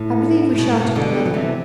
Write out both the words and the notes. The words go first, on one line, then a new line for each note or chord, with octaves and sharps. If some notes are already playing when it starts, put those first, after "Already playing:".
I believe we shouted together.
Already playing: A2
A2
B2
A2
B2
B2 D3
F#3
C3 E3